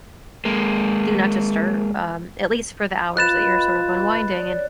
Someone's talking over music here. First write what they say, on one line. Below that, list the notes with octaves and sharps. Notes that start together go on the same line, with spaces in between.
Do Not Disturb, um, at least for the hours that you're sort of unwinding and
G#3 A#3
F4 B4 D#5 B5 F#6 A6 E7
C#5 D5